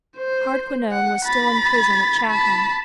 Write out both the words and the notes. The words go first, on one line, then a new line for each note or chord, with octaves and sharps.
Hardquanonne was still in prison at Chatham.
C5
F#5
B5 A6
A5 B5